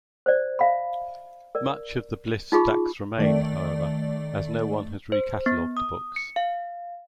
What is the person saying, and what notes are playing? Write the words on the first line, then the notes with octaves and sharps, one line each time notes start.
Much of the Bliss stacks remain, however, as no-one has re-cataloged the books.
C5 D5
E5 F5 B5
A#4 D5
D#4 F4 G#4 B5 C#6
D#3 A3 D5
C5
B3
D#6
C#7
F5